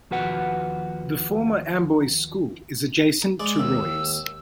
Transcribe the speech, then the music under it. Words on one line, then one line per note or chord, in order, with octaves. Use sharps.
The former Amboy School is adjacent to Roy's.
D#2 F3 F#4 B4 F#5
G#3 D5
D#2 E6